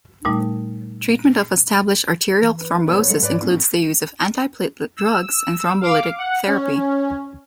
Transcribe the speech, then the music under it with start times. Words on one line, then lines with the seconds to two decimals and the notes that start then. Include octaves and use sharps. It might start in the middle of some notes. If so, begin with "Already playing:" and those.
Treatment of established arterial thrombosis includes the use of antiplatelet drugs and thrombolytic therapy.
0.25 A#2 G3 A3 D#4
2.43 E3
2.58 B4
2.87 F#1 B2 B3 B4 C#5
3.08 F#3 G#3 A3 C#7
3.23 G#2 B4 C#5 D5
3.42 A2 B3 C#4
4.97 E6
5.81 F5 D6
6.18 F#5
6.47 C#4